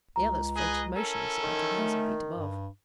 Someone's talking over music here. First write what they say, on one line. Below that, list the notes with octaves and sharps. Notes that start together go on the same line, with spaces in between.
The others floated motionless about a thousand feet above.
C#2 A#5
G#4 B4 D#5
C#4 E4 A4 A#4
D#3
A3
G2